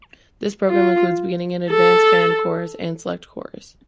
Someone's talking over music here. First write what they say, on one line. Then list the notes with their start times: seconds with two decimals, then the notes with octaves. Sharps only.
This program includes Beginning and Advanced Band, Chorus, and Select Chorus.
0.68 F4
1.71 A4